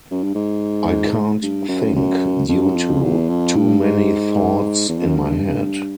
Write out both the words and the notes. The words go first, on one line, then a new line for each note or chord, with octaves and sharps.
I can’t think due to too many thoughts in my head.
F#2
G2
G#2
G2
F#2
F#2
F2
F#2
F2
E2
F2
G2
G#2
E2
F2
F#2
G2